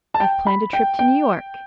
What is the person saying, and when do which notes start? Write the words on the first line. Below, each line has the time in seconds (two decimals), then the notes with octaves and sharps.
"I've planned a trip to New York."
0.14 A5
0.20 G5
0.47 B5
0.73 G5
0.99 G5